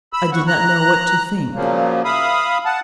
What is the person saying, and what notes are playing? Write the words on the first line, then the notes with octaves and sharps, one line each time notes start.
I did not know what to think.
B5 E6
E2 F#5 C#6
A#5 F#6
A#2 C#3 F3 F#3 A#3
E5 F5 B5 D#6
F#5 A5